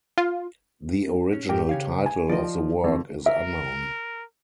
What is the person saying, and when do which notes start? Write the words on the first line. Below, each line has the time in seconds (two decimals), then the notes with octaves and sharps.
The original title of the work is unknown.
0.18 F4
1.33 C#4
1.49 G#2 G4 A#4 G5
1.69 C#3 C#5 F5
2.06 G#5
2.29 F3 D5 D#5
2.84 F2
3.26 A#4 E5